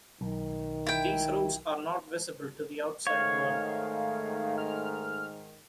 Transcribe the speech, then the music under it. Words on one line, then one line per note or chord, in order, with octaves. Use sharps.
These routes are not visible to the outside world.
B1 D#3
E4 G5
G#2 D#3 A3 C#5 F5
F6